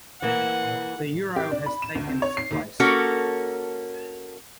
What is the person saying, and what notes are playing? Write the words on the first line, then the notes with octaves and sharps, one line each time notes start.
The euro has taken its place.
E3 A#3 F#5
G4
D4
B5
E7
D2
C4
C#5
C7
D#2
A#3 C#4 F#4 A4 A#4